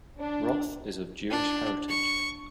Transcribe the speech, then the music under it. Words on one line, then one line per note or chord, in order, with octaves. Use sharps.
Roth is of Jewish heritage.
D4
D4
C#6